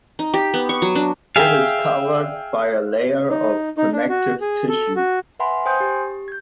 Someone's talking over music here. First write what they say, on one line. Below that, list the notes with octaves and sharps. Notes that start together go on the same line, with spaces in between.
It is covered by a layer of connective tissue.
D#4
G4
B3
C#6
F#3
D4
G#4 E5 F5 G5
D#4
D#4
D4
F#4
G#4
A4
F#4
B4 E5 F#5 G#5 B5 C6
C5 G5 G#5 C6 D#6 G6
G4
G6 G#6